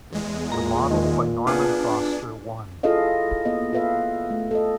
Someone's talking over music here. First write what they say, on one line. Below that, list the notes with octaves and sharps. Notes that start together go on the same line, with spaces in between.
The model by Norman Foster won.
E2 G#3
A#2 A#5
D#3
B3 D4 F4 G#4
E4 F4 G#4 A4 D#5 F5
A#3 B3 D#5
F4 A4 B4 E5 F5
A3
A4 D#5